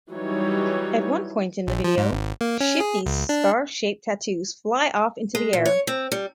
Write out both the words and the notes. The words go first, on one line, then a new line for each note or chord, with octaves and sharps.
At one point in the video, Shifty's star-shaped tattoos fly off into the air.
E3 F#3 G3 D#4 C#5
A#1
F3
G#2
G#1
A#3
C#4
G#4
C#2
D4
G#3
A#2
C#5
C4
G3